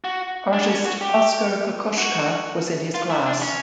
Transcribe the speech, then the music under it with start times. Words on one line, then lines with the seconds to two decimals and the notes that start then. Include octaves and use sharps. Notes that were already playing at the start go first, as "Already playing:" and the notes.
Artist Oskar Kokoschka was in his class.
0.04 F#4
0.53 D4
0.69 C#4
0.85 F#4
1.01 G4
1.98 F#4
2.94 F4
3.10 E4
3.26 D4
3.42 C#4